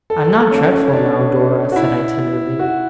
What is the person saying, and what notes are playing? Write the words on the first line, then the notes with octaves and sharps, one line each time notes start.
'I am not dreadful now, Dora?' said I, tenderly.
A4
A4
C#4
C#4
C#4
D4
F#4
E4
F#4